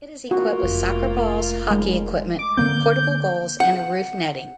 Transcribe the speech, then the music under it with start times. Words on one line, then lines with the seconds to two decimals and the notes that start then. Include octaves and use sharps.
It is equipped with soccer balls, hockey equipment, portable goals, and a roof netting.
0.31 A3 A#3 F4 F#4
0.63 F1 E4
1.71 G#3
2.39 D6
2.57 D3 A#3 C4 G6
3.60 F#5